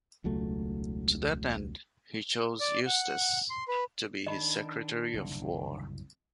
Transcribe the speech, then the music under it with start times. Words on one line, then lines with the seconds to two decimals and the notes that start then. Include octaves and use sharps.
To that end he chose Eustis to be his Secretary of War.
0.24 E1 C#2 F#3 A3
2.60 D5
2.87 F#5
3.50 C6
3.68 B4
4.27 D#3 D4 D#5 B5
5.14 F#1 C2 A2